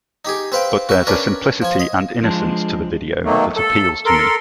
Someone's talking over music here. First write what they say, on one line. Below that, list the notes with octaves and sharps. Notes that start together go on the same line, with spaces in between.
But there's a simplicity and innocence to the video that appeals to me.
D#4 G4 G#4
C4 B4 F5 G5
F#4 E5
C#4 D4 A#4 B4
F3 G#5
D#5
F3 G#3 D4
B2 D#3 F#3 A3 A#3
A4
A4 A#4 C6